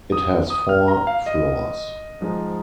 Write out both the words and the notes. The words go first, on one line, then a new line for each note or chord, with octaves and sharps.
It has four floors.
D#6
D#6
F6
A#5
F5
D#5
G#2 F3 G#3 D#4